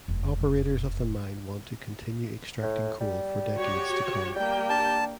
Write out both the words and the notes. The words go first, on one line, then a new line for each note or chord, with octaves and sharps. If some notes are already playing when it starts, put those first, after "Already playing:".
Operators of the mine want to continue extracting coal for decades to come.
F1 F#2
A2
G3
F#4 G4 C#5
G3 A#3 G4 G5
D4 A5